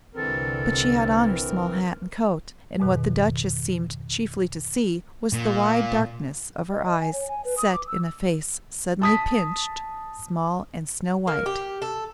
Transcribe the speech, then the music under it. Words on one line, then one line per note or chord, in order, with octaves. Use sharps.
But she had on her small hat and coat and what the Duchess seemed chiefly to see was the wide darkness of her eyes set in a face suddenly pinched, small and snow white.
C2 D3 E3 C4 A4 A#4
F2 G#2 B2 D#3
A#2
D#5
D#5
G#5
C#5
G#5
B4
D#6
D6
E6
A5 D#6 B6
A#3
G4
A4